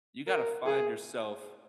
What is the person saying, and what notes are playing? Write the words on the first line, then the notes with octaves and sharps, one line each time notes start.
You gotta find yourself
A#4
G#4